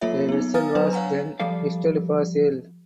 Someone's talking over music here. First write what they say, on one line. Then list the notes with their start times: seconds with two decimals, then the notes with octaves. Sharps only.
The vessel was then listed for sale.
0.01 F#3 A#3 F4 A4 C#5 E5
0.29 B3 D#4
0.54 F5 G#5 A#5 D#6 F6 A6
0.75 F#3 D4 B4 C5
0.93 C#5 F5 F#5 G#5 A#5
1.40 F3 G3 A4 D5 F5